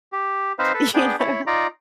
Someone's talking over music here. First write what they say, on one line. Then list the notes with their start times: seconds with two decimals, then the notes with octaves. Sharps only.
you know,
0.12 G4
0.59 C4 D#4 B4 C5 F5
0.74 A4 B4
0.94 B3 D4 G#4 G5
1.19 E4 C#5 B5
1.47 D#4 F4 D5 A#5